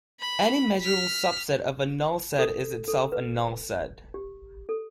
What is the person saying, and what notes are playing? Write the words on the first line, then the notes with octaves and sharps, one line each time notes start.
Any measurable subset of a null set is itself a null set.
B5
F6 B6
A4
A4
B4
G4
A4